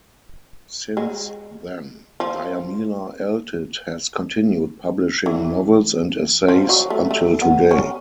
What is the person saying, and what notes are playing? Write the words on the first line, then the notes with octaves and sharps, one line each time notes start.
Since then Diamela Eltit has continued publishing novels and essays until today.
G#3
F3
E3
F3
F#3
A3
A3
B3
C#4